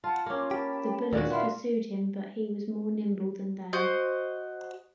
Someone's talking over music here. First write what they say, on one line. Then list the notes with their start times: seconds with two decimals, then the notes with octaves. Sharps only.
The bullets pursued him but he was more nimble than they.
0.04 F4 F#5 A5
0.26 A#3 C#4 F4 D6
0.51 G4 A#4 A5 B5
1.13 D#2 A#2 D#3 D4 F#4
1.30 B3 E4 A#4 F5 C6
3.73 F#4 C5 D#5